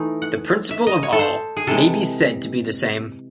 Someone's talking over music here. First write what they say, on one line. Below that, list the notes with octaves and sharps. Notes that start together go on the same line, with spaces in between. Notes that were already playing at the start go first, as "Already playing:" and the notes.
The principle of all may be said to be the same.
Already playing: E3 A3 D#4
F#5
E5
D#5
C#5
A4
C5
G#4
C3 E3 G#3 A4